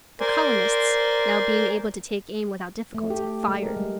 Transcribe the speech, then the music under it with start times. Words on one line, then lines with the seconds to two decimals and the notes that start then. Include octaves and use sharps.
The colonists, now being able to take aim without difficulty, fired.
0.20 A#4 C5 D5 G#5 C6
2.95 A3
3.10 G4
3.48 G#3
3.62 A#4
3.77 G3